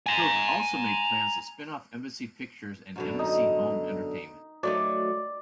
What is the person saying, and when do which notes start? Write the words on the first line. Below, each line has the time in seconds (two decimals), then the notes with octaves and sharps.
Coke also made plans to spin-off Embassy Pictures and Embassy Home Entertainment.
0.06 G#5 A#5
2.96 F#2 B2 D3
3.19 D#4
4.63 F#3 A3 D#4 D5